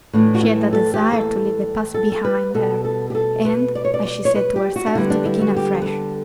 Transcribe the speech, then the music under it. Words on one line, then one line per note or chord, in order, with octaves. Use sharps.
She had a desire to leave the past behind her and, as she said to herself, to begin afresh.
A2 E3 A3 D4
F#4
E4
A4
G4
A4
A4
A4
B4
B2 G3 B3 A4
A4
G4
A4
B4
D5
C#5
D5
D5
C#5
B4
G4
F#4
D4
D3 G3 B3 E4
D4
E4
F#4
G4
B4
A4